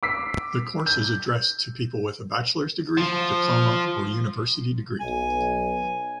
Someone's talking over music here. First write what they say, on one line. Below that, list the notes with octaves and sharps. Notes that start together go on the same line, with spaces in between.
The course is addressed to people with a bachelor's degree, diploma or university degree.
D6 E6 B6 C7
G6
F3
B1 G#5